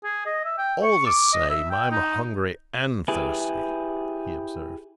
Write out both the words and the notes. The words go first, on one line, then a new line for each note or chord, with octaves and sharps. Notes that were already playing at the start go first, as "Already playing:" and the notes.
"All the same, I'm hungry and thirsty," he observed.
G#4
D#5
E5
G5
C#6
D6
D#5
E5
G5
D#4
E4 G4 G#4 B4